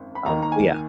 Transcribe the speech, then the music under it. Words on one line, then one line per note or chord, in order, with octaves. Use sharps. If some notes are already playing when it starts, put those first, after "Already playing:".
um, but yeah,
Already playing: G#1 F#2
B5
D#2 D#3 A#3 D#4 A#5
A#5
G#5